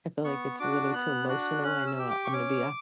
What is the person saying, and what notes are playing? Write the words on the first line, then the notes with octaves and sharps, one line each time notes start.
I feel like it's a little too emotional. I know I I'm gonna be a
B3 C#6
D4 F#4 D6
B3 F#6
D4 F#4 F#6
C#4 F#6
E6
G4
D6
C#6
C#4 D6